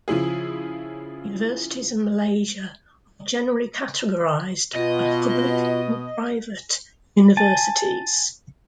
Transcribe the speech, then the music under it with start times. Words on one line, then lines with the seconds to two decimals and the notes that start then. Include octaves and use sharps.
Universities in Malaysia are generally categorised as public and private universities.
0.08 C#3 F3 E4 G#4
4.75 B2 F4 D#5
7.37 G#5 A5